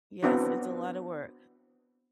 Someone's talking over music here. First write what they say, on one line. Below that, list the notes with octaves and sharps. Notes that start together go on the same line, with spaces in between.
Yes, it's a lot of work.
B3 C4 D4 E4 F#4